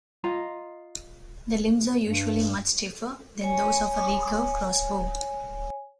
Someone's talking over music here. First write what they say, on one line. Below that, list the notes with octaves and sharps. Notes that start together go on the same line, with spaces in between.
The limbs are usually much stiffer than those of a recurve crossbow.
F4 D#5 A#5
G2
C#5 G#5